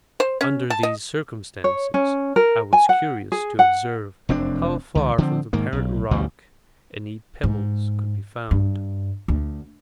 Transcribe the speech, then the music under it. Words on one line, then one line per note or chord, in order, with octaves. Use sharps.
Under these circumstances I was curious to observe how far from the parent rock any pebbles could be found.
C5
C#4
A5
D#5
C#5
C#4
A#4
G#5
F#5
G#4
F#5
F1 F#2 C4 D4
C#2 D#3
D3 F3 G#3 C4
G#2 D#3 A#3
B1
A1 D2 B2 G3
G#2
G2
D2